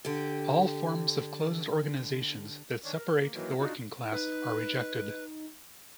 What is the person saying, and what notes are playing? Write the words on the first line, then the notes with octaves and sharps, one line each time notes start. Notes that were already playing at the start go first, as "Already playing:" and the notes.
All forms of closed organizations that separate the working class are rejected.
D3 G4
D#3 C#4 D4
A#4
A#3
D#3 E3 F#3 A#3
D4 D#4 F4 F#4
D#4 B4